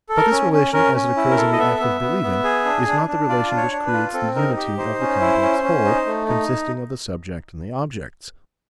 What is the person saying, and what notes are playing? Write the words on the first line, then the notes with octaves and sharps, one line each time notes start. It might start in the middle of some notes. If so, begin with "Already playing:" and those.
But this relation, as it occurs in the act of believing, is not the relation which creates the unity of the complex whole consisting of the subject and the objects.
A4
A#4
C#4
C#4
C#4 A#4
C#4
E4
A#4
A4
D#5
B3 E5
B3
B3
B3
G#4
D4
D4
D4
F4 D5
D4
C#5
D4
B4
F4
C4 A4
D#4 A#4
G4
D#4 C5
C#4
E4
C#4
C#4
D#4
A3
D#4